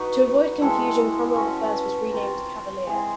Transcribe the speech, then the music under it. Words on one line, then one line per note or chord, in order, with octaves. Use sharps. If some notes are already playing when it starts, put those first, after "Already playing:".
To avoid confusion Cromwell I was renamed "Cavalier".
Already playing: D#4 F#4 B4
G#3 C4 E4 A4
C#4 F#4 B4 D#5
C4 F4 A#4
G#3 C4 E4 G#4